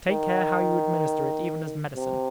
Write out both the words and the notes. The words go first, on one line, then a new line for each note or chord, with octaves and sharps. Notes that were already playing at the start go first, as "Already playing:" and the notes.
Take care how you administer it even as medicine.
D#3
C3